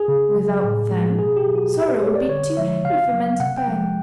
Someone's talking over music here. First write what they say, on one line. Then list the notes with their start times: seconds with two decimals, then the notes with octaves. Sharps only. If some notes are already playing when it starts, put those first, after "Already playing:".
Without them, sorrow would be too heavy for men to bear.
Already playing: G#4
0.08 C#3
0.36 F#3
0.63 A2
0.91 F3 G#3
1.19 B2 G#4
1.37 G4
1.46 F#3
1.55 F#4
1.74 A#2 G4
1.88 B4
2.02 G3 C#5
2.15 D5
2.29 D3 C#5
2.57 F3 G#3 E5
2.84 C#3 F5
3.13 F#3
3.40 C3 F#5
3.58 G5
3.68 F3 G#3